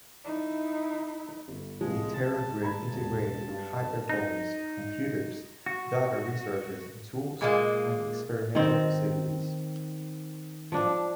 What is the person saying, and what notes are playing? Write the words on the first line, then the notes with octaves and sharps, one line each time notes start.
The TeraGrid integrated high-performance computers, data resources and tools, and experimental facilities.
D#4 E4
G1
C2 F3 G#3
A5
A#5 B5 G#6
E1
G2
D#4
F#4
A#2 G#3 A#3
D#3 C4
F3 D4